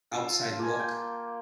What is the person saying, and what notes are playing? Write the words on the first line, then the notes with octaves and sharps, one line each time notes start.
outside look,
F4 A4
A#3 G#5
G5